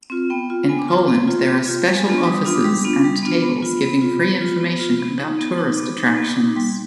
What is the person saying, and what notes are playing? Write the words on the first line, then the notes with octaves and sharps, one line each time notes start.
In Poland there are special offices and tables giving free information about tourist attractions.
C4 F4
B3 G5
F4
B3 G#5
D6
F4 C6
C6
B3
F4
B3
F4
G3
G#5
B3 D4 F4
C6
G3 D#6
B3 D4 F4 D#6
D6
G3 C6
B3 D4 F4
G3
B3 D4 F4
B3 B5
F4
B3
F4
B3
F4
B3
F4
B3
D#4
B3
D#4
B3 D6
D#4
B3
D#4
G3 C6